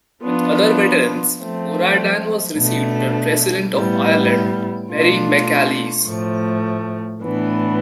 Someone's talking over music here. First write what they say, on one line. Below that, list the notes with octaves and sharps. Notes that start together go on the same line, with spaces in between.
With other veterans O'Riordan was received by President of Ireland Mary McAleese.
F3 B3 D4 F4
F3 A3 C4
B2 A3 D4
A2 G3 B3 E4
B2 A3 D4 F4
A2 F3 A3
A2 E3 B3 D4